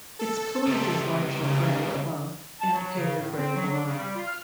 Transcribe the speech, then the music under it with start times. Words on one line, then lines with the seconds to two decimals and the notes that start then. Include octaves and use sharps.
Its plumage is largely grey above, and paler grey below.
0.19 A4
0.67 C#2 C3
1.43 C#3
2.60 A5
2.73 F#3
2.97 C#3
3.18 A2
3.37 C4
3.56 F#3
3.72 D4
3.87 C#3
3.98 G3
4.16 F4
4.28 F6